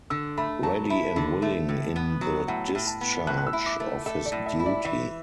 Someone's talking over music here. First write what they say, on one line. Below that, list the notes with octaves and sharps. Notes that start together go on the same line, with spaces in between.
Ready and willing in the discharge of his duty.
D3 E6
A3 B5
F#3 A5
E4
D3
A3
A2
B3
F#3
A2 F#5
A2
A5
B3
A2 F#6
F#6
E6
E4
D6
A3
A4 E5
D5
A2
E5
E4
D5
E3 E5